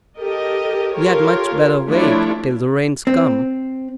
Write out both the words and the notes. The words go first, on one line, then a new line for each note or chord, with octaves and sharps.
We had much better wait till the rains come.
G4 A4 A#4 D#5
F4 G4 A4 A#4 C#5
F3 G3 A3 D4 E4 C#5
C4